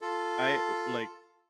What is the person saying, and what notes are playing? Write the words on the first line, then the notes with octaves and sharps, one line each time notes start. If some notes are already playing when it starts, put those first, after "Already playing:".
I, uh, like,
F4 A4